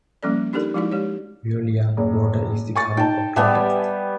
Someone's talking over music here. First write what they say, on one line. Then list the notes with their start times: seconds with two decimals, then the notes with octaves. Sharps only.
Veolia Water is the current operator.
0.23 F3 G3 A#3 C#4 A4 D5
0.53 D4 D#4 G4 A4 A#4 D5
0.75 F3 G#3 D#4 E4 F#4 D5
0.92 G#3 G4 C#5
1.97 F#1
2.76 G#5 C#6 A6
2.97 D#4 G5 A5
3.36 G3 B3 G4 E5 G#5 A5